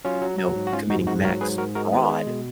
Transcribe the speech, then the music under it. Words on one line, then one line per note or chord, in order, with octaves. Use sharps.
you know, committing max fraud,
F#3 C#4 F4
F#3
F#3
G#2
F#4
G#2 C#4 F4
G#2 D#4 F#4
G#2 D#4 F#4
F#3 A#4 C#5
G#2 G#4 B4
G#2 F#4 A#4
G#3 F#4 A#4
D#3 B3
G#3
B2